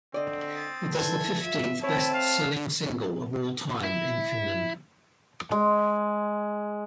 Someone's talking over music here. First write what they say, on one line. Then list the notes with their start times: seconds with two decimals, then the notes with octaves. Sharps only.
It is the fifteenth-best-selling single of all time in Finland.
0.14 D3 C4 D5 D#5
0.54 D#6 A6
0.93 G2 E3 A4 B4 G#6
1.42 F4 E5
1.83 A3 C4 E4 C#5 A5
2.14 F5
3.84 E4
5.52 G#3